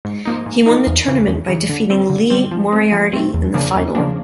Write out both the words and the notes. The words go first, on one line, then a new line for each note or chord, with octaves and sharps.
He won the tournament by defeating Lee Moriarty in the final.
G#2
F3 A#3 D#4
G#2
F3 A#3 D#4
E2
C#3 E3
E2
C#3 E3
D3
G3 C4
D3
G3 C4
F3
A3 C4
F3
A3 C4
E2
C#3 F3 A#3 D4
E2
C#3 F3 A#3 D4